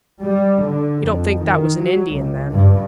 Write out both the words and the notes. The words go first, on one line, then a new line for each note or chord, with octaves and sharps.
"You don't think that was an Indian, then?"
G3
D3
F2
D#3
F#3
C#2
G2